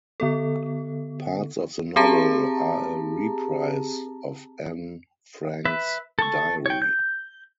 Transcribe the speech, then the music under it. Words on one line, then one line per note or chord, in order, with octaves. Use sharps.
Parts of the novel are a reprise of Anne Frank's Diary.
D3 B3 A4
C4 G4 G#4 A5 A#5
B4 E5
A4 C#6
C#5 G5
G6